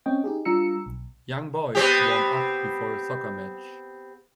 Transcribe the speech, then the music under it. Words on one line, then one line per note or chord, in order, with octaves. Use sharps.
Young boys warm up before a soccer match.
C4 C#4 C#5 D#5 G5
D#4 G4 G#4
G3 D4 F4 A#5 E6 C#7
B1
B3 C4 G4